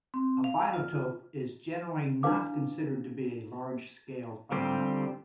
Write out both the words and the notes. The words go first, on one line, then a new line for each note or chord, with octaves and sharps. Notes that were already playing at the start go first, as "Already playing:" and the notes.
A biotope is generally not considered to be a large-scale phenomenon.
C4
F5
F4
D4 E4 B4 F5 D6
D3 G3 C4 F4 G4